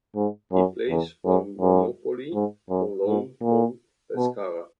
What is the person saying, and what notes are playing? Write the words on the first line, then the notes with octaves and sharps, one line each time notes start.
He plays for Monopoli on loan from Pescara.
G#2
F#2
E2
F#2
F#2
G#2
F#2
G#2
A#2
B2